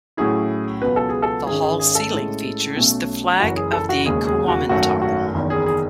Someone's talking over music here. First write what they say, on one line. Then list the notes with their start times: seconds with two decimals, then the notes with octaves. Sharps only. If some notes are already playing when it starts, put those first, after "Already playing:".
The hall's ceiling features the flag of the Kuomintang.
0.17 A2 F#3 C#4 E4 G#4
0.82 C#2 B2 F#3 B3 B4
0.96 A4
1.09 G#4
1.22 A4
1.47 G#1 G#2 D#3 G#3 C#4 G#4
1.62 G#4
1.79 G#4
1.95 A4
2.11 A2 G#3 C#4 E4
2.76 B1 B2 A3 C#4
3.40 F#1 F#2 E3 F#4
3.56 G#4
3.73 A4
3.89 F#4
4.06 E1 D#2 C#3 G#3 C#4 G#4
4.27 G#4
4.48 F#4
4.69 G#1 F#2 D#3 A3 F#4
5.02 F#4
5.34 F#1 E2 D#3
5.50 G#4
5.66 G#4